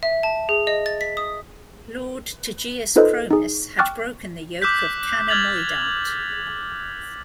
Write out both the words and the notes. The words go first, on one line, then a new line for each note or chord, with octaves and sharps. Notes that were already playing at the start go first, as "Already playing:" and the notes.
Lord tegeus-Cromis had broken the yoke of Canna Moidart.
E5
A5
G#4
D#5
A6
B6
D#6
D#4 F4 A4 B4 C5 D#5
D#4 G#4
G5 C#6 D6 F6 F#6 A6
D6 E6 F#6 G6 B6
F6 G#6 A6 F7 F#7